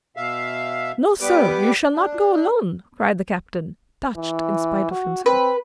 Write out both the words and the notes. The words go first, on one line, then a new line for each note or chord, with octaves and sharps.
"No, sir, you shall not go alone," cried the captain, touched in spite of himself.
B2 E5 F5
G3 B3 G4 B4 D6
D4
E3
F#4
C4 B4